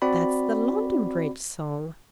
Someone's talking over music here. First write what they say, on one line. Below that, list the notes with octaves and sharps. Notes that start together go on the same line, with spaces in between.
That's the London Bridge song.
C4 F#4 D5 B5